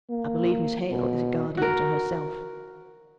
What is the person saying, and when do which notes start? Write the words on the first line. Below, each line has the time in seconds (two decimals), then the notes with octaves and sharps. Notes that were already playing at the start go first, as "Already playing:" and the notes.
I believe Miss Hale is a guardian to herself.'
0.10 A#3
0.91 B2
1.57 F#4 A#4